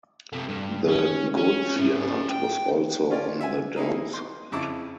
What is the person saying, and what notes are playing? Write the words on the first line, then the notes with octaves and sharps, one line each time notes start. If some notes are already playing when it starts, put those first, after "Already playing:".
The goods yard was also on the 'down' side.
C3 A3
G2
C#4
C#4
C#4 E5
G5
C#4 F4 D5
E5 F#5 G#5
A#3 D#4 E4 G#4
C6
F2 C#3 E4 A5 D6